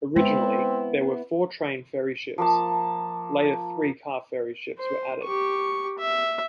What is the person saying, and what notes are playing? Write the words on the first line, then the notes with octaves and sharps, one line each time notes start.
Originally there were four train ferry ships; later three car-ferry ships were added.
G#3 B3 C4 E4
F3 A#3 A5
C5
G4 C#6
E5